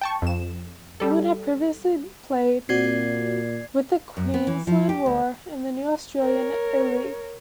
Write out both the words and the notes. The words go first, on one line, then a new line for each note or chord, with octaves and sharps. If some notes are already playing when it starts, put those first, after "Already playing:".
Moon had previously played with the Queensland Roar in the new Australian A-League.
G5 A5 C#6
F2 E7
G3 A4
A#2 C4 F#4 D5 G#6 C7
F#2
B3
E3
F3
G4
D2
A#4 C#5